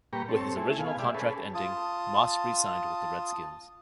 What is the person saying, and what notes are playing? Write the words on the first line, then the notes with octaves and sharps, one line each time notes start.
With his original contract ending, Moss re-signed with the Redskins.
A#2 G3 G4 B4 A#5 C#6
C4 A4 C#5
A3 E4 G#4
B2 F5 G#5
G#3 G4 D5 E5
C#4 G#4 A4 B4
F4 A5 D#6